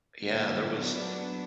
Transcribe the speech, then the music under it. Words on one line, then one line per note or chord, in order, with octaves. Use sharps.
Yeah, there was
D3 F#3 A#3
F#3 B3 D4